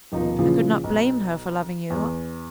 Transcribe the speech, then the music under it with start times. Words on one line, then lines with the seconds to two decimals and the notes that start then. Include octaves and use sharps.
I could not blame her for loving you.
0.12 D#1 B2 F3 D#4
0.39 A#2 C#3 E3 F3
0.84 B1
1.90 E2